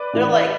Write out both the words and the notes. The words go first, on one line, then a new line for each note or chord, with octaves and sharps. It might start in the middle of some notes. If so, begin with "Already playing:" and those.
they're like,
Already playing: B4 D5
A2 E3